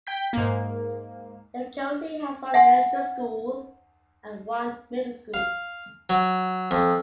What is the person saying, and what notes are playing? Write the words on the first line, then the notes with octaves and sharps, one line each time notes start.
Yokoze has one elementary schools and one middle school.
G5 G6 B6
G#2 A#3
E5 F#5 G#5 C6
F5
F#3
F2